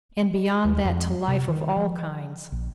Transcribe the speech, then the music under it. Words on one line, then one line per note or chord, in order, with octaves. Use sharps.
And beyond that to life of all kinds.
D#2
F2
C3
D#3
F3
A#1